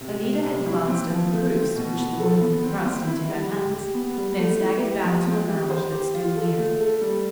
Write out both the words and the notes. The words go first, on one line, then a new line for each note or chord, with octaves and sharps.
Alida had glanced at the proofs which the woman had thrust into her hands, then staggered back to a lounge that stood near.
C3
C3
C3
E4
C4
F3
A3
C4
B2
B3
A4
B3
C4
C4
E4
G3
G4
G4
B3
G3
A3
E4
G4
F3
C4
G4
C5
G4
F4
A4
A3
A4
G3